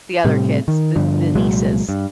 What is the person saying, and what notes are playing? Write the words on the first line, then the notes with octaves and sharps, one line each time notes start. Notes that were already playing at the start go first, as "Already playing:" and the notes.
the other kids, the the nieces.
A2 C3 G3
D#3
G2 D3 F3
C2 A#2 F#3 G#3
G2